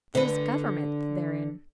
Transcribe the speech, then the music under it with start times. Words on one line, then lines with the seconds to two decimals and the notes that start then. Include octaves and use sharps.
There is government therein.
0.15 D3 B4